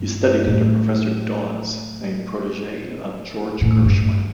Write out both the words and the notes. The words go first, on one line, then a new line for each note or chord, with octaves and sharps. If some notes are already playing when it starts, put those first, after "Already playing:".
He studied under Professor Dodds, a protegee of George Gershwin.
Already playing: G2
A2
A2
G2